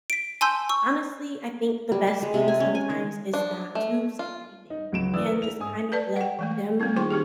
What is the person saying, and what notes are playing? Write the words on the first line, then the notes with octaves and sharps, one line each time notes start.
honestly, I think the best thing sometimes is not to say anything and just kind of let them
B6 D7
G#5 A5 C6 E6 G6
C#6 E6
G3
A5
G#3
C3
G#5
C#4
G#5
D#3
F3 D4
A3
F4
D#4
C#2 F#3 D7 E7
E3 D5 D#6 E6
A#4
F7
G#2 G#5 D#6
A4 B4 D5 A5
F#5 G5
E3 G#3 A3
G3 A3 A#3 C4 E4
D#3 D#4 F4 G#4 G5 C#6
C4 D#4 G4 G#4